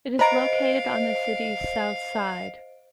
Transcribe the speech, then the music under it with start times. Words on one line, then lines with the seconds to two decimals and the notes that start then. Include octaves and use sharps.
It is located on the city's South Side.
0.19 B4 C5 D#5 F5 A#5 D7